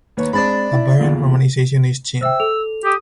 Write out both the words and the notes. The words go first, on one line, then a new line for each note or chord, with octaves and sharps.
A variant romanization is Chin.
D#2 B4 C#5
G#3 C4 D4 A5 B5
E4
B1 E2 A#2
C5 E5 G5 E6
A4 F7
G4 D#6